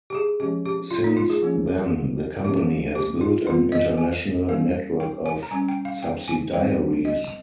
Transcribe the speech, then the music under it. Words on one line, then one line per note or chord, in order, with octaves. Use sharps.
Since then the company has built an international network of subsidiaries.
G4
G#4
F3 G#3 C#4 G4
G4
F4
D#4
F4
G#4
F3 A#3 C#4
F3 G#3 C#4 G4
G4
F4
D#3 G3 C4 F4
D#5
G#5
G3 A#3 C#4 F5
G5
G#5
A#5
G3 C#4 G#5
G5
F5
G5
G#5
D#3 G3 C4 G5
D#5